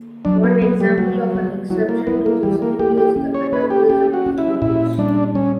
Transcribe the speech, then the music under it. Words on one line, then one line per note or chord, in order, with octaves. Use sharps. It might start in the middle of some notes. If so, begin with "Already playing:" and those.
One example of an exception to this "rule" is the metabolism of glucose.
Already playing: A#3
F#3 D4
B3
A#3 B3
G3
F#3 G3
B3
F#3 E4
A#3
B3 E4
A#3
E3 G3
A#3
A#3 G4
G4
C#4
C#5
A#3 B4
G4
C#4 G4
F#4
C#4
E4
A#2 E4
G3 D4
G3 C#4